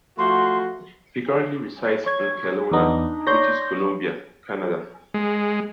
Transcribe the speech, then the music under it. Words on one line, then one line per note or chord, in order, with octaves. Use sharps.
He currently resides in Kelowna, British Columbia, Canada.
F3 A3 F#4 C6
C#5 G#6
E2 B3 D4 D#4 D#5
C#5 D5 C6 G6 A#6
G#3